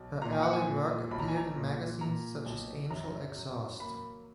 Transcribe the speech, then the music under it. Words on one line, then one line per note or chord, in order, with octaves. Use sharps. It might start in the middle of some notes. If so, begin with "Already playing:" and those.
Her early work appeared in magazines such as Angel Exhaust.
Already playing: B1
A#2 A#5
G#5
F#5
G#5
A#2
B1 B5
A#5
G#5
A#5
A#2
A#2 A#5
B1
F#2 A#5
F#3
A#3 B5